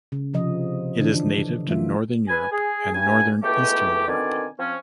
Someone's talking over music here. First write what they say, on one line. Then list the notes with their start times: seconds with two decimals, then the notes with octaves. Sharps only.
It is native to Northern Europe and Northern Eastern Europe.
0.12 C#3
0.34 C3 F3 D#5
0.98 D3 E3 D4
1.68 E3 A3 F4 E5
2.29 B4 G#5
2.52 G#4
2.94 G2 G#5
3.43 C#2 B2 A3 E4 G4
4.07 B2 D3 D#3 C4 D5 G#5
4.59 F3 C4 C#4